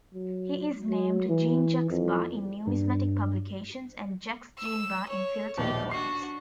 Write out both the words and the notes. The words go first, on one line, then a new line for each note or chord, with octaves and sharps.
He is named "Jean-Jacques Barre" in numismatic publications and "Jacques-Jean Barre" in philatelic ones.
F#3
F#3
E3
F2
G2
E6
C#5
A#1 D#2 B2 G4 D5
D4 F#4 C7